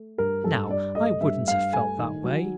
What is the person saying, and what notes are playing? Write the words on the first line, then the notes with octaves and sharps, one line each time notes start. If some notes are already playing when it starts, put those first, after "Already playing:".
Now, I wouldn't have felt that way.
Already playing: A3
G2 A#4
G2 A4
G2 D5
A3 D#5
G2 E5
G2 F5
A3 G#5
D#3
F#3